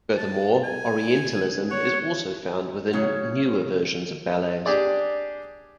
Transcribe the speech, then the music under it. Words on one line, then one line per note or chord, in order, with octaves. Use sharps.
Furthermore, Orientalism is also found within newer versions of ballets.
A5
G#5
C#5 F#5
C#3 F#3 C#4
D4 G4 G#4 D5